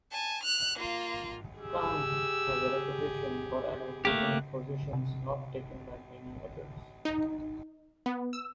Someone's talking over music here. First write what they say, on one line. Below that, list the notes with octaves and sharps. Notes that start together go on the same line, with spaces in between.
Kahn has a reputation for advocating positions not taken by many others.
G#5 A5
F6 F#6
A#3 F4
G4 G#4 E6
A3 A#3 G4 F#6
C3
D#4
B3
E6